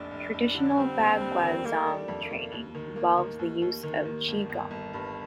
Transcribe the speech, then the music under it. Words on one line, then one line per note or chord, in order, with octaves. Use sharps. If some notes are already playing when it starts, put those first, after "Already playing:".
Traditional Baguazhang training involves the use of qinggong.
Already playing: F1 A#1 D4
F1
F1
D3
G3 C4
D#2
G3
D#3
A3 A#3
D4
G3
F2
A#3
A3
D#2
D#3
A#3
D#3
D#2
D#2
D#3
D#2
G1
G1
G1
G2